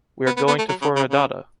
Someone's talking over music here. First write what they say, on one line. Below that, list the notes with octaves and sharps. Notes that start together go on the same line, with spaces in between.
We are going to Foradada.
B3
B3
B3
A3
F#3
C#3
C#3
C#3